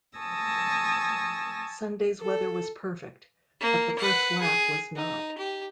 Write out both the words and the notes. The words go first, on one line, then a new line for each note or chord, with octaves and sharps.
Sunday's weather was perfect, but the first lap was not.
G#5 A5 C#6 D#6 E6 A#6
A4
A#3
B4 F#5
G#4
D#4
G4